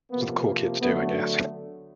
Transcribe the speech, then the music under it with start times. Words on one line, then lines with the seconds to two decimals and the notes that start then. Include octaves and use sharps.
it's what the cool kids do, I guess
0.11 C3 F3 A#3 B3
0.80 D3 F#3 A3 B3